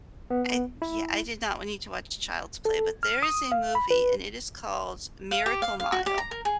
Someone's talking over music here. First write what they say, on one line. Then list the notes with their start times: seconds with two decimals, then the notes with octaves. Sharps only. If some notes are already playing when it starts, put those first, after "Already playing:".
I Yeah, I did not want you to watch Child's Play, but there is a movie, and it is called Miracle Mile.
0.30 B3
0.82 E4
2.65 A4
3.03 F6
3.23 D#6
3.52 F5
3.75 B5
3.90 B4
5.31 F5
5.46 G4
5.62 F5
5.80 F5
5.92 F#4
6.06 G4
6.18 A#5
6.31 A#4
6.45 G#4